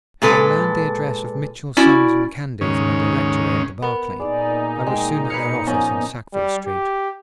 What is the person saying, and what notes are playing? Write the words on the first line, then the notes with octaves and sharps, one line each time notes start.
Having learned the address of Mitchell, Sons, & Candy from a directory at the Berkeley, I was soon at their office in Sackville Street.
A#2 G#3 A4 B4
C#4 E4 F#4 D5
D#2 G#2 C#3 C#4
B3 A#4
A#2 D#4 G#4 D5
G#3 G5
B4 C#5 F5 C#7
F3 B3 C#4 D#6
G3
G4